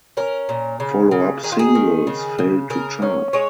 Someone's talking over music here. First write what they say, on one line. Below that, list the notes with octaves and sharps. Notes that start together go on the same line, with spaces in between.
Follow-up singles failed to chart.
C#4 A#4
A#2
C#3
C#3
D#3 G#4
F4
G#4
D#3
C#3
C#3
C#3 A#4
C#4
G#3 C#5